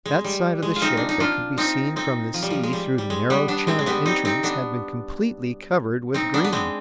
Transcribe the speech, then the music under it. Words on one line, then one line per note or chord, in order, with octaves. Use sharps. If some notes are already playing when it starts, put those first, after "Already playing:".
That side of the ship that could be seen from the sea through the narrow channel entrance had been completely covered with green.
G#3
G3
G#3
F4
C4 D#4
D4
D#4
D4 F4
C4 D#4
C4 D#4
F3
G3
F3
G#3
G3
G3
G#3
G3 B3
B3 D4
G#3 C4
G#3
G3 B3
C4 D#4
C4 D#4
B3 D4
C4 D#4
B3 D4
B3
G#3 C4